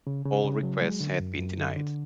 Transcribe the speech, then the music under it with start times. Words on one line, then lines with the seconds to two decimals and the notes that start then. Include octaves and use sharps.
All requests had been denied.
0.07 C#3
0.25 C#3
0.44 C#3
0.63 F#3
0.82 G#3
1.01 D3
1.20 F#2
1.39 F#2
1.57 D3
1.76 D3